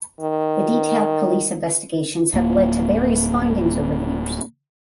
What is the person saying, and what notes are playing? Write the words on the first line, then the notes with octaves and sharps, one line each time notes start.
The detailed police investigations have led to various findings over the years.
D#3
D1 A#3